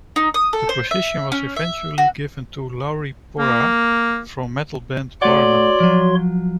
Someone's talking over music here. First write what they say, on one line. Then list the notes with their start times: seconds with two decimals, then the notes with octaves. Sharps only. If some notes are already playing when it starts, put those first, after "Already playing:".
The position was eventually given to Lauri Porra from metal band Warmen.
0.16 D#4
0.34 D#6
0.53 A4
0.69 C5
0.91 E5
1.32 C#4
1.56 E5
1.98 F#4
3.39 A#3
5.22 A3 F#4 C#5 D5 F#5 C6
5.80 F3 F#3